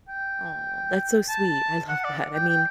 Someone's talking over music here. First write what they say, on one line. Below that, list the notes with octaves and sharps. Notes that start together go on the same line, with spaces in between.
Aw, that's so sweet. I love that. I mean,
G5
A5
F#5
D5
G5
G5